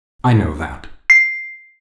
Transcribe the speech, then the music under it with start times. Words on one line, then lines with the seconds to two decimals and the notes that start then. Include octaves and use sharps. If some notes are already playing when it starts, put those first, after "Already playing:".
I know that.
1.10 C7